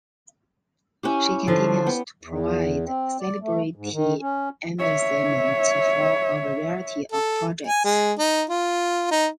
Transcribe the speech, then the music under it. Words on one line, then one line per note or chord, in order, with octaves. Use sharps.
She continues to provide celebrity endorsement for a variety of projects.
C#4 E4 G4
D3 F3
B3 G5
E2
C4
D5
A3
G#2
D#3
C#4
C#5 E5
A4
G#5
G#3
D#4
F4
D#4